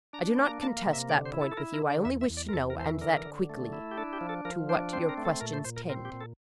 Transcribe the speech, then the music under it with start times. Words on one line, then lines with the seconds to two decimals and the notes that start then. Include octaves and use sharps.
"I do not contest that point with you; I only wish to know, and that quickly, to what your questions tend?"
0.13 D4 A#5
0.38 A#3
0.46 A#5
0.62 A#3 A5
0.77 F5
0.86 C3
0.93 E5
1.09 D3 D5
1.26 C5
1.33 E4
1.41 A4
1.52 A4
1.57 E4 A#4
1.74 A#4
1.82 D3
1.90 D5
2.05 E2 E5
2.21 E5
2.30 E2
2.37 D5
2.49 A#4
2.53 E2 A4
2.70 A#4
2.77 E3 C5
2.86 A#4
3.01 D3 A#4
3.25 D3
3.50 A3
3.73 E4
3.91 G4
3.97 D4 A4
4.13 G4
4.21 F3
4.29 A4
4.45 F3 A#4
4.69 D4 C5
4.93 C4 C5
5.09 A#4
5.18 A3
5.25 A4
5.41 A#2 A#4
5.53 C5
5.65 A#2 C5
5.76 A#4
5.89 C4 A#4
6.05 G4
6.13 A#2
6.21 A4